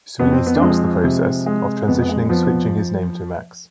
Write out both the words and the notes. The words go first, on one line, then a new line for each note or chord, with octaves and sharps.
Sweeney starts the process of transitioning switching his name to Max.
F2 B3
C4
B3
D4
F3 G#3 C4
C3
G#3
F2 B3
B3
G#3
F3 B3
B3